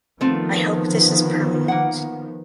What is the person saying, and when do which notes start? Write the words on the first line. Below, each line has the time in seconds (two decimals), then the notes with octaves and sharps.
I hope this is permanent.
0.21 D#3 F3 A3 B3 C4 F4
1.68 A#3 F#5